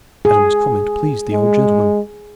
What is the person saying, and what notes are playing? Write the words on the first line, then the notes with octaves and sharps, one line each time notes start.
Adam's comment pleased the old gentleman.
G#4
G#3